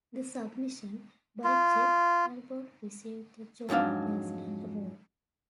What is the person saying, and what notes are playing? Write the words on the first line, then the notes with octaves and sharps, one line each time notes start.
"The Submission" by Jeff Talbot received the John Gassner Award.
F4
F2 G#2 F#3 D4 F5